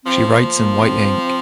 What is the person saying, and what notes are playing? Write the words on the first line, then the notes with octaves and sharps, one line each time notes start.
She writes in white ink.
F3 C4
A#3
A#3
C4